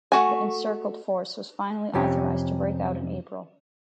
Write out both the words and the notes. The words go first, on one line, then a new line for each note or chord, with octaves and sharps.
The encircled force was finally authorized to break out in April.
A3 F#4 G#5
F2 C3 C#4 G4